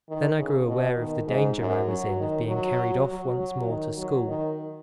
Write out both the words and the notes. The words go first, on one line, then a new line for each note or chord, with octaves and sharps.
Then I grew aware of the danger I was in of being carried off once more to school.
D#3
C#3
B2
D#3
G#2
F#2
F#3
D#3
F#3
F#3
F#3
D#3
F#3
D#3